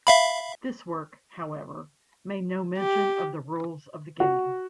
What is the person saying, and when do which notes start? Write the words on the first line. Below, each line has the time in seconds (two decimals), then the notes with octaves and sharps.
This work, however, made no mention of the rules of the game.
0.07 E5 F5 B5
2.78 G4
4.20 F#4